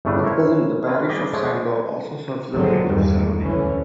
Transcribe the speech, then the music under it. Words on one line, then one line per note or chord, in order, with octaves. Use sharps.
At present, the parish of Sandor also serves the village of Saloli.
G1 A2 C#3 A3 D4 B4
E4 A#4 C5 C#5 E5
C#4 F4 A#4 B4
G3 G4 G#4
F3 G#3 A3 C#5 D5
G#1 D3 F#3 G#3 C4
E2 G2 D#3 G3 G#3
D2 D3 E3 C#4